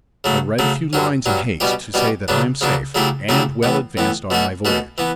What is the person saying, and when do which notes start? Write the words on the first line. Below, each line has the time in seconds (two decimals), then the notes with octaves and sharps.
I write a few lines in haste to say that I am safe--and well advanced on my voyage.
0.24 C#3 F#3 A3
0.59 C#3 F#3 A3
0.93 G2 F#3 C#4
1.26 G2 F#3 C#4
1.60 B2 G3 C#4 G4
1.94 B2 G3 C#4 G4
2.28 C#3 F#3 B3 D4
2.61 C#3 F#3 B3 D4
2.95 C#3 F#3 A3 E4 G4
3.29 C#3 F#3 A3 E4 G4
3.63 A2 E3 B3
3.97 A2 E3 B3
4.30 B2 A3 C#4 F#4
4.65 B2 A3 C#4 F#4
4.98 E3 B3